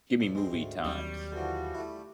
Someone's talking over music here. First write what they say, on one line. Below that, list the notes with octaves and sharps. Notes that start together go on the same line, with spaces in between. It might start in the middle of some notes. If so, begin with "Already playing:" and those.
Gimme movie times.
F2
D2 G#3 C4
G#2
D#2 F#3 G3 C4 C#6
D3 E3 F3 F#4
A3 E4